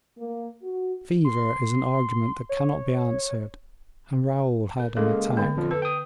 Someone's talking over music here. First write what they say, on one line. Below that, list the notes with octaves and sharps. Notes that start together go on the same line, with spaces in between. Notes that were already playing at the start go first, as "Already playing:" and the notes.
Fever is an argument that cannot be answered, and Raoul had an attack.
A#3
F#4
C6
C#5
A#4
C#3 G#3 A#3 A4
D3 B3
A#1 F2 F3
A4 B4
G5 D#6